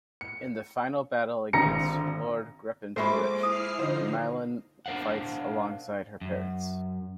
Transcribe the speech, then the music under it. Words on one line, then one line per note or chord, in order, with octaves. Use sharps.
In the final battle against Lord Geperunitch, Mylene fights alongside her parents.
C#7
G#1 D3 A#5 A#6 C#7
A#1 G#3 A4 C5 E5 B5 C#6 D6
E4 D#6 F6 C7
D3 F3 D#4 C5 D#5
D4 A#4 C5 F5 F#5
F#2